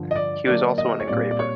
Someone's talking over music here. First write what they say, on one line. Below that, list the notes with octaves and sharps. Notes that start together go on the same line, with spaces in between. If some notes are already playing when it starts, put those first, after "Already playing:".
He was also an engraver.
Already playing: G2 D3 F3
D#5
D5
D3 F#3 A#3 D4 D5
D#5
C#5
A#2 G3 C4 D5
D5
C#5